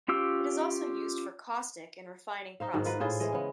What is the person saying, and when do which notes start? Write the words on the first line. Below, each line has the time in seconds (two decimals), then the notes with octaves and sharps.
It is also used for caustic in refining process.
0.08 C#4 F4 G4 E6
2.60 D#4 C5 F5
2.73 G#2 D#3 F#4
2.85 F4 A#4 B4
3.00 A2 F4 G#4 C5
3.20 E3 G#3 D#5
3.32 C#3 B3